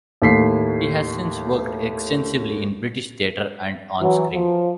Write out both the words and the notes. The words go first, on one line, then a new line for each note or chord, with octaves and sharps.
He has since worked extensively in British theatre and on screen.
D#2 A2 B6 C7
E3 F#3
F3